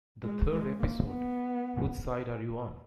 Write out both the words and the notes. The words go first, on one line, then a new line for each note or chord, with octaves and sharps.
The third episode, Whose Side Are You On?
G#3
G#3
A#3
B3